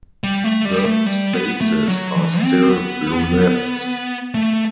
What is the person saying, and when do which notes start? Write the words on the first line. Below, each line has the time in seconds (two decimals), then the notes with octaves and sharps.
The spaces are still lunettes.
0.24 G3
0.44 A3
0.65 G3
0.86 A3
1.06 G3
1.33 B3
1.61 A3
1.88 F#3
2.15 E3
2.43 C4
2.69 B3
4.34 A3